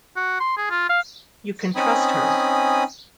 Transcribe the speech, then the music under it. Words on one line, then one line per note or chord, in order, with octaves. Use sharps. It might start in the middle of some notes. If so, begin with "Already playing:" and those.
You can trust her.
F#4
C6
G#4
F4
F5
C4 C#4 D#4 G#5 B5 D#6